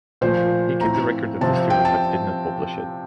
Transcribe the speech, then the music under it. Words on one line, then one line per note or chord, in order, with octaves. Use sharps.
He kept a record of this tour, but did not publish it.
A#2 F3 A3 C5
A2 A3 C4 A#5
C3 F3 C4 A5
G5
A5